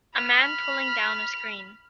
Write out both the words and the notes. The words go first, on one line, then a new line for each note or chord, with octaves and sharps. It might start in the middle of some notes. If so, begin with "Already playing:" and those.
A man pulling down a screen.
B5 F6